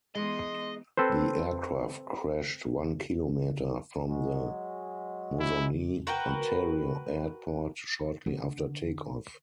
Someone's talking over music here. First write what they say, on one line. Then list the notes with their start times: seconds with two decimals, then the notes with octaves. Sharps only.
The aircraft crashed one kilometre from the Moosonee, Ontario airport, shortly after take-off.
0.15 E3 G#3 B3 D#4 D#5 C6
0.97 C4 A4 B4 C5
4.08 F#3 G#3
5.39 E4
6.07 F#4 A#4 B4 G5
8.26 D3